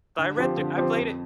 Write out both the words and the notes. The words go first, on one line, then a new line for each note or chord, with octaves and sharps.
But I read thro I played it
D3
F3 C4 G4 C5
D3
F3 C4 G4 C5
F2